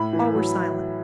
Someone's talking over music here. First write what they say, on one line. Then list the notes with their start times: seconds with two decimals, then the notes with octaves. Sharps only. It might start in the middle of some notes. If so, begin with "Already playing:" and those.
All were silent.
Already playing: A2 B5
0.13 E3
0.34 F#3